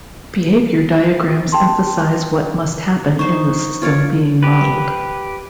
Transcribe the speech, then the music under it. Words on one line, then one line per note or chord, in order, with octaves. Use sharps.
Behavior diagrams emphasize what must happen in the system being modeled.
G5 A5 C6
D#4 C5 C#6
F4 C#5 D5
G4 B4